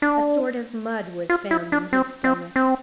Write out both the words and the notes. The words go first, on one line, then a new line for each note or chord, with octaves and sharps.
A sort of mud was found in his stomach.
D4
F4
E4
D4
C4
C4
C4